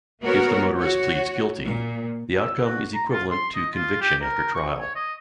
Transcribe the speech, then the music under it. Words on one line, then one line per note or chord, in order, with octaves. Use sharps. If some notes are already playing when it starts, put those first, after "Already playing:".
If the motorist pleads guilty, the outcome is equivalent to conviction after trial.
A#3 B3 F#4 A#4 C#5
F#4 C#5
A#2
E6
F#4
A#5
F4
C6
D#5
F4
G4
A#4
C#6
C#5
D#5